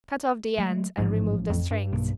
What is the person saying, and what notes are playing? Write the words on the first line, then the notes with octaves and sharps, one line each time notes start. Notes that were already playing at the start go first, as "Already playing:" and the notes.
Cut off the ends and remove the strings.
F#3 G#3 A3
A1 G#2 F3
F2
G2
B1 A#3